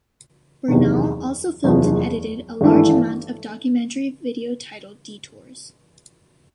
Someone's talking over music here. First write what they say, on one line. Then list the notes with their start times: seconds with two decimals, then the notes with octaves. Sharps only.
Bernal also filmed and edited a large amount of the documentary video titled Detours.
0.68 F#1 E2 C3 D#3
1.64 F#1 E2 C3 F3
2.61 G#1 G2 E3 A3